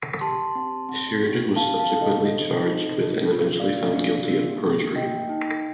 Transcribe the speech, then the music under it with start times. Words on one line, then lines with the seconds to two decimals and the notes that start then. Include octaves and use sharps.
Sheridan was subsequently charged with and eventually found guilty of perjury.
0.21 G4 A5 C6
0.55 C4
0.89 C4
1.23 G4
1.56 C4 F5 A5
1.79 F5 A5
1.91 A4
2.02 D#5
2.24 C4 D#5
2.58 D#4
2.92 A4
3.26 F4
3.60 A#3 D5 F5
3.93 D4
4.28 A#3
4.61 G4
4.95 A#3 D#5 G5
5.29 D#4